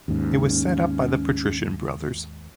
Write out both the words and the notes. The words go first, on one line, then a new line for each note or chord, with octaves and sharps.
It was set up by the Patrician Brothers.
D#2 G#2 C#4